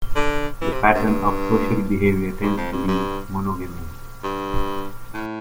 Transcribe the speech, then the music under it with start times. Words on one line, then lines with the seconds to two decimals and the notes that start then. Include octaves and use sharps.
The pattern of social behaviour tends to be monogamy.
0.15 D3
0.61 E3
0.72 C3
0.94 G2
1.06 G2
2.42 G2
2.57 F2
2.72 G2
2.88 G2
4.23 G2
5.14 A2